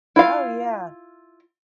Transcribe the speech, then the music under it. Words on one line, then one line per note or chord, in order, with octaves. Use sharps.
Oh, yeah.
E4 F4 F5